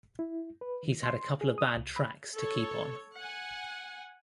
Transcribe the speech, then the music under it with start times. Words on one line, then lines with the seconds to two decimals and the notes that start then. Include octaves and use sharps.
He's had a couple of bad tracks to keep on.
0.19 E4
0.61 B4
0.83 D#3
1.03 C6
1.41 G#4
1.58 D#6
1.76 C2
1.96 B5
2.35 A4 C#5
3.17 F#5 G#5